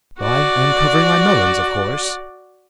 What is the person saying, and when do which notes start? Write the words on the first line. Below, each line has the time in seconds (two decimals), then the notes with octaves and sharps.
"Why, I am covering my melons, of course!"
0.20 F#4 D5